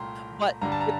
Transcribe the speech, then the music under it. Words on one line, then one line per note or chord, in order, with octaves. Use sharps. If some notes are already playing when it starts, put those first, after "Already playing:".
but i
Already playing: C2 A#2 A3 G5 A#5 C6
G2 D3 G3 A#5
A5
A#5